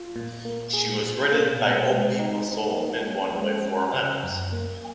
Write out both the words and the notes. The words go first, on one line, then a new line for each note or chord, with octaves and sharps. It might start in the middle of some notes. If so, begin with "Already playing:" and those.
She was ridden by Opie Bosson and won by four lengths.
Already playing: F4
A#2
A#3
G#4
A#2
A#3
B2
G#3
D#4
D#4
A#3
C#4
G#3
C#4
C#3
F#2
A#3